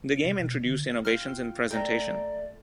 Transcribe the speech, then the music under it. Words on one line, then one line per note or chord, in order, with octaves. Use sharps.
The game introduced innovations in presentation.
C3
B2
D3
F4 G5 F6
A3 D5 G5 A#5